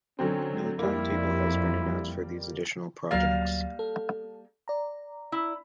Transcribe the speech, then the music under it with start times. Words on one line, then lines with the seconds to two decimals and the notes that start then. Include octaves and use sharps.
No timetable has been announced for these additional projects.
0.19 D3 F#3 C4 C#4
0.79 F2 G3 A#3 E4
3.11 D2 F#3 G3 A#3 F5 A6
3.79 A4
4.68 D5 A#5
5.32 E4